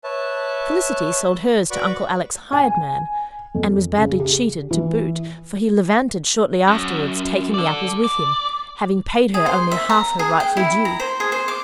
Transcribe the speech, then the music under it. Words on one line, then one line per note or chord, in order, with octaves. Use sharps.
Felicity sold hers to Uncle Alec's hired man--and was badly cheated to boot, for he levanted shortly afterwards, taking the apples with him, having paid her only half her rightful due.
B4 C#5 E5 A5
F#4 B4 D5 B5 C#6 D6
G#5
F2
C#3
G4
E3
F#2
A4 D5
D5
G#4
C5
E5
A#5
G#4
G5
E4
A#5
C5
G#4
C5
D6